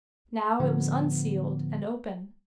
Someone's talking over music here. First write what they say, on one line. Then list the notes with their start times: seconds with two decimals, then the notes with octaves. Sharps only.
Now it was unsealed and open.
0.60 A2 D3 F3 B3